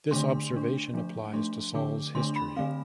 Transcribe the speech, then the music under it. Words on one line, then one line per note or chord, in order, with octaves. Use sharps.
This observation applies to Saul's history.
D3 A3 D4 C6
D3 A3 D4
F3 A3 D4
F3 A3 D4 C6
D3 A3 D4 D6
D3 A3 D4 C6
B5
D3 A3 C4 F5